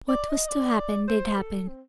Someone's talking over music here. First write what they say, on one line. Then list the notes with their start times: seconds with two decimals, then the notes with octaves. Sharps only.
What was to happen did happen.
0.08 D5
0.29 D#5
0.49 D5
1.08 C5
1.38 A4
1.68 C4